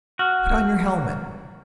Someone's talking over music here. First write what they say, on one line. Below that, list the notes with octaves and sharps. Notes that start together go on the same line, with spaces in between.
"Put on your helmet!"
F#4 F6